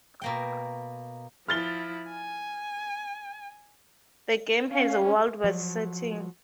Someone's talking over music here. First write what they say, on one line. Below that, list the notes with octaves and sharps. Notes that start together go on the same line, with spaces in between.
The game has a Wild West setting.
B2 A#3 G5
F3 E4 F6 A6 G7
G#5
C#4 F5
F3 F#3